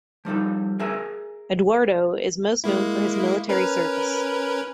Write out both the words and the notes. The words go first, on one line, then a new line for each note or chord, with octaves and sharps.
Eduardo is most known for his military service.
F3 G3 D#4 A4
G#4 A#4 E5 G#5
G#3 A#3 E4
C#4 A#4 B4